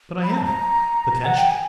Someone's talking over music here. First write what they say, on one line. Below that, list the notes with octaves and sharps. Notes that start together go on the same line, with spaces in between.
"But I am, potentially."
B5
A#5
A5
A#5
F#5
G5
G#5